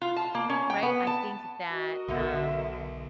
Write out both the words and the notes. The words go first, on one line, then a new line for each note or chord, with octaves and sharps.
right? I think that, um,
F4
A5
A#3
C#4
G5
B3
A5
F#4 A#4 D#5
B1 B2 D3 E5